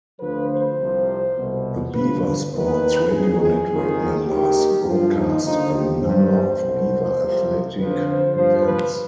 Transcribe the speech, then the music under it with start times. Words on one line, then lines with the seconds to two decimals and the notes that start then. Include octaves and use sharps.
The Beaver Sports Radio Network members broadcast a number of Beaver athletic events.
0.19 D2 D3 F3 B4
0.49 C5
0.78 C2 C3 F3
1.35 C2 B2
1.94 G2 D3 F3 B4
2.23 B4
2.52 D#2 D#3 B4
3.10 F2 D#3 G#4
3.40 G#4
3.68 F2
3.73 D#3
4.26 D#2 D#3 G4
4.84 G2 F3 F4
5.13 D#4
5.42 D#2 D3 F3 D#4
5.72 G4
6.00 G2 D#3 C5
6.58 C2 B2
7.17 C2 C3 F3
7.75 F2 D3 F3 B4
8.04 C5
8.33 G2 F3 C5
8.62 B4